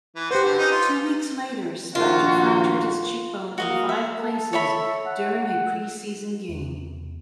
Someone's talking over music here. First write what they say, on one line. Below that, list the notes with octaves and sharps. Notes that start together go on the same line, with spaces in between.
Two weeks later, Spector fractured his cheekbone in five places during a pre-season game.
E3
F#4 G4 B4 C5
D3
C#4 D#4
F4
A#1 D#3 F4 F#4
A#3 F#4 D#5 F5
E5
A4
C#5 E5 B5
F#5
F#5
E2